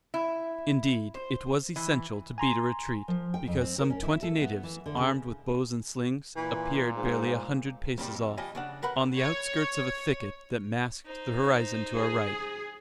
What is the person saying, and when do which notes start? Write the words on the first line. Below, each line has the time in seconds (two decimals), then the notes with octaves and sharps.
Indeed, it was essential to beat a retreat because some twenty natives, armed with bows and slings, appeared barely a hundred paces off, on the outskirts of a thicket that masked the horizon to our right.
0.14 E4
1.15 C5
1.76 E3
2.38 G#5 A#5 C6
3.08 F3
3.34 G5
3.47 F2
3.61 C4
3.78 A#4
3.90 C#4
4.03 E4
4.23 A4
4.41 B3
4.63 E3
4.86 D3
4.97 C#3
6.36 A#2 E3
6.96 G#2
7.98 F2 A#2 G3
8.14 F2
8.37 F3 G3 D#5 G#5
8.55 C#3 D4 F#5
8.82 A#4 B4 F#5 B5
9.17 C#5
11.06 D#4 C5
11.95 G#4